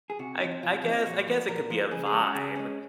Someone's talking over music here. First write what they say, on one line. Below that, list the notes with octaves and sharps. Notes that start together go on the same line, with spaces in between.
I I guess I guess it could be a vibe.
G#4
C3 F#4
F3 C4 D#4
C3 F4
F3 C4 D#4
F4
A#2 F#4
F3 A#3
A#2 A#4
F3 A#3
C#3 G#4
G#4
G#3 C#4
F#4
C#3 G#4
G#3 C#4